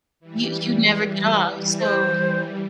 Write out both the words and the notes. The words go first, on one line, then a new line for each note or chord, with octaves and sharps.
you you never get off. So
E3 G3
C5